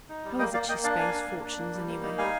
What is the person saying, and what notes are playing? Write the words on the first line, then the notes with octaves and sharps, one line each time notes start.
How is it she spaes fortunes any way?
D#4
G3
A#3 D#5 G5
A#3 D5 F5
A#3 D#5 G5
D4 D5 F5
A#3 F5 G#5
D4
A#3
D4
A#3
G3
A#3
D#4
G3 F5 G#5